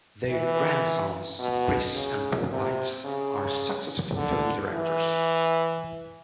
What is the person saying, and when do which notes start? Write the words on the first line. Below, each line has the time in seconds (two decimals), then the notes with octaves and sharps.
Their grandsons, Chris and Paul Weitz, are successful film directors.
0.29 E3
1.39 B2
1.95 C#3
2.50 C3
3.05 C#3
4.16 D3
4.71 E3